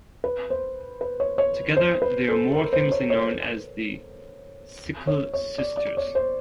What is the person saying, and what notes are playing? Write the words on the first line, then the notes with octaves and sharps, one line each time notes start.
Together they are more famously known as the Sikkil Sisters.
B4
C5
B4
C#5
C#5
C5
B4
A4
A#4
C5
C#5
C#5
C#5
C#5
D5
D5
C#5
C5